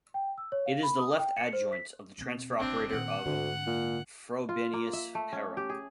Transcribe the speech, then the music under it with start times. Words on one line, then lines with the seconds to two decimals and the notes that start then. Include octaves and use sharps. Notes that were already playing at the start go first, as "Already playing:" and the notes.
It is the left-adjoint of the transfer operator of Frobenius-Perron.
0.14 G5
0.38 E6
0.52 C#5
0.66 F5
0.83 B5
0.99 D#6
1.19 G5
1.37 C#7
1.53 C5
1.73 B6
2.18 E1 C4
2.59 G1 C3 C4 D4
2.92 A#2 D#3 F#5
3.26 D2 G#2 D3
3.67 A#2
4.49 F4
4.73 A#3
4.93 E5
5.15 A3
5.33 C#4
5.57 G4
5.70 G#4